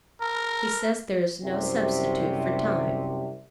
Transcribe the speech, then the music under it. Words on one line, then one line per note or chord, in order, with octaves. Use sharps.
He says there is no substitute for time.
A#4
C2 F#2 C3